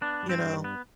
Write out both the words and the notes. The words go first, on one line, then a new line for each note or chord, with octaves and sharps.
You know?
B3 D4
G2
C4
G2
B3